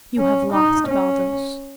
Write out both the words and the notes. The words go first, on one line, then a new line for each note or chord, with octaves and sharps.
You have lost Baldos.
C#4
D#4
C#4